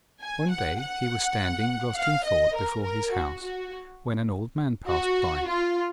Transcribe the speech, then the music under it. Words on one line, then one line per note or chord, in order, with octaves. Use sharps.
One day he was standing lost in thought before his house, when an old man passed by.
G#5
F#5
F#5
F5
D#5
A#4
A#4
F#4
F#4
F#4
F4